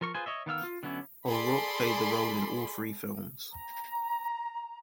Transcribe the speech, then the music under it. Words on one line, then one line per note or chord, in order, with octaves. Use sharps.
O'Rourke played the role in all three films.
F3 A#4 C#6
F4 G#4 B4 C5 G#5
C#5 D#5 E5
D#3 B3 F5 E6
F4
D3 F#3 B3 C#4 E4
G#4 A4 D5 B5 C6
A#5